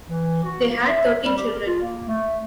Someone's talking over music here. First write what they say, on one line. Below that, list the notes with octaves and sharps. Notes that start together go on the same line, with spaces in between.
They had thirteen children.
E3
F#4
A#3
E5
G3
G4
A#4
F4
A#3
A3